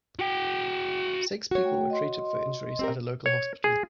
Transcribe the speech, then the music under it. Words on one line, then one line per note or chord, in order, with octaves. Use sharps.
Six people were treated for injuries at a local hospital.
F#4 G5
F#4 C#5
A3 G5
D#5 C6
C4 G4 A#4
C#5
G#4